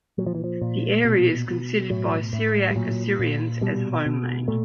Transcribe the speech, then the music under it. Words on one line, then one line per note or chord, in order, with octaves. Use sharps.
The area is considered by Syriac-Assyrians as 'homeland'.
A#2 F#3
F3
E3
F3
A#2
B2
B2
A2 F#3
A2
G3
A#2 F#3
A#2
B2 G3
B2
A#2 A3